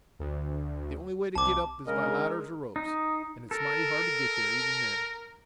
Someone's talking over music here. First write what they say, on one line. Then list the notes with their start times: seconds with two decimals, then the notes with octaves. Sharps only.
The only way to get up is by ladders or ropes, and it is mighty hard to get there even then.
0.19 D2
1.35 C2 A5 D6
1.87 C#3 G#3 D4 D#4 A#4 D#5
2.76 D#4
3.51 A4 A#4